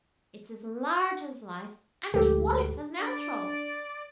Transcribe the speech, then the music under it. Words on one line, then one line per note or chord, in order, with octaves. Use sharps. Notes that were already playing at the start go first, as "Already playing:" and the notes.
It's as large as life, and twice as natural!'
D2 G#2 G4 A4
D4 D5